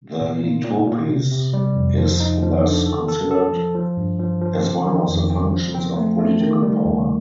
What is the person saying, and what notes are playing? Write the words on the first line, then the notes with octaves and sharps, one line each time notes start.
The letopis is thus considered as one of the functions of political power.
A#2
A#2
A#2
A#2
C3
C3
G3
F2
F3
D#4
F3
D3
A4
A4
A4
F3
F3
G2
F3
F3
C4
D#3
F2
C4
F3
C4
A3
A3
D#3
G3
D#2